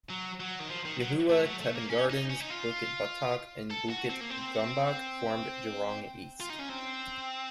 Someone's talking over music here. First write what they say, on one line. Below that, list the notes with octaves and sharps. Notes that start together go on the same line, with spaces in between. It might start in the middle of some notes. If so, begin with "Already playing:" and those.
Yuhua, Teban Gardens, Bukit Batok and Bukit Gombak formed Jurong East.
F#3
F#3
D#3
F3
D#3
F#3
A3
F#3
A3
A#3
C#4
D#4
C#4
D#4
F4
A4
F#4
C4
A#3
C4
F4
D#4
C#4
C4